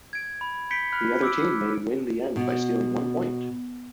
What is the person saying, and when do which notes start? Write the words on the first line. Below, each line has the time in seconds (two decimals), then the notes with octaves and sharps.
The other team may win the end by stealing one point.
0.13 G#6 D7
0.41 B5
0.71 B5 G6 B6 C#7 D7 G7
0.92 B5 F6 F#6
1.22 D6 E6 C#7 D7
2.36 B2